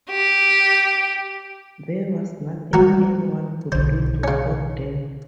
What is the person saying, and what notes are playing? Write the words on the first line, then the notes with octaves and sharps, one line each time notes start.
There was nothing anyone could do to stop them.
G4
E3 G3 G#3 F#4 A#4
B1 D3 C5
C#3 C#4